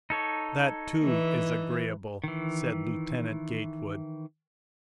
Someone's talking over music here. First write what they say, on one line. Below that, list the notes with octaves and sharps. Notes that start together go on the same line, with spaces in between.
"That, too, is agreeable," said Lieutenant Gatewood.
D#4 A4 C#5
E3
D#3 E3